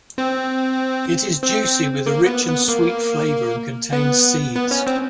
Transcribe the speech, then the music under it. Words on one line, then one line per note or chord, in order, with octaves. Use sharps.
It is juicy with a rich and sweet flavour and contains seeds.
C4
C4
A#3
B3
B3
A#3
B3
B3
C#4
C4